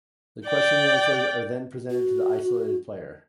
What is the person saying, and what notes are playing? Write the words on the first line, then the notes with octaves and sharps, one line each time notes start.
The question and answers are then presented to the isolated player.
D5 G5
F#4